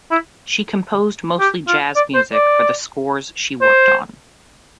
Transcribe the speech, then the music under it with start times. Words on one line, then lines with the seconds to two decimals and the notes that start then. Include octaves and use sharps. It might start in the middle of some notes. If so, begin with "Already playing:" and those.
She composed mostly jazz music for the scores she worked on.
0.11 E4
1.40 G4
1.68 F4
1.96 D5
2.15 C5
2.33 D5
3.61 C5